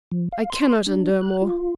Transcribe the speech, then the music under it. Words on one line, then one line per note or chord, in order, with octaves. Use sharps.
I cannot endure more!
F3
F5
C6
D4
F#6
F4